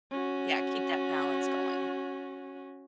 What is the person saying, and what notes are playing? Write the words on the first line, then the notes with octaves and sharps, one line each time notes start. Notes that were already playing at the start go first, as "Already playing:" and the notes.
yeah, keep that balance going,
C#4 F#4